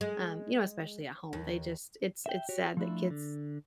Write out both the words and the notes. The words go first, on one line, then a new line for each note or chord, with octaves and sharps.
um, you know, especially at home. They just it's it's sad that kids
G#3
D#2
E5 G5
F#4 G4 C#5
F3 A3 D4 E4
D3